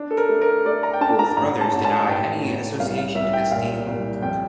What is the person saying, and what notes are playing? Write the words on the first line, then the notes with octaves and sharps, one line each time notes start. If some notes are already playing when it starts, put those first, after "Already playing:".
Both brothers denied any association to this deal.
Already playing: D4
A4
A#4
A3
A#4
A3 D5
A#5
G5
D4 A5
A#5
A1 A#5
A5
A1
A5
A5
A1 G5
A1
C2 F5
F5
C2 E5
G5
A#2 F5
C2
F2 G5